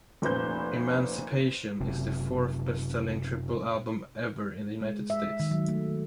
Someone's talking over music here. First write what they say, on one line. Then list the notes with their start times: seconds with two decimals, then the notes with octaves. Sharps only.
"Emancipation" is the fourth-best-selling triple album ever in the United States.
0.22 F1 A#2 C#4 B4 C5 G6
1.80 F#1 C3
4.81 G#3
5.10 E5
5.40 D#3
5.51 F#3
5.69 A3